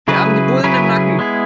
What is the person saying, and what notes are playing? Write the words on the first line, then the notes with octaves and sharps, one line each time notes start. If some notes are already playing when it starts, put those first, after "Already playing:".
Wir haben die Bullen im Nacken.
C#3 F#3 E4 G#4 B4
C#3 F#3 E4 G#4 B4
G#3 B3 E4 G#4